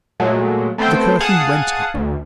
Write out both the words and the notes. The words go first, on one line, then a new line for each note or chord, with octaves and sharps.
The curtain went up.
A#2 F#3 G#3 A3
A3 B3 C4 A4 C5 G5
G#4 F5 F#5 G#5 A5 D#6
D2